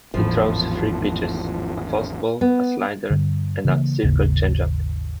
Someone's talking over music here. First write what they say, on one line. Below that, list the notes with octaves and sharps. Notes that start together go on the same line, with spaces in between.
He throws three pitches: a fastball, a slider and a circle changeup.
G#1 E2 A2 F3
B3
G2 D3
C#3 E3 A#3
G#1 D#2 C#3 A#3